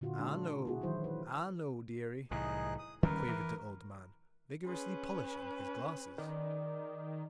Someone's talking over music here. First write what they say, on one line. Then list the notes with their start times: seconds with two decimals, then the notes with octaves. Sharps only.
"I know--I know, dearie," quavered the old man, vigorously polishing his glasses.
0.01 A#2 D3 F4 F#4
0.20 G#3 D4
0.65 E4 F#4 G#4
0.81 D#3 E3 F#3 E4 C5
1.04 B4
2.31 C2 A2 E3 D#4 G#4 F#6
2.79 D#6
3.03 D#3 G3 C#4 A#4 B4
3.28 E3
4.65 C#4 G#4 B4 C5 G#5
6.18 D#3 D5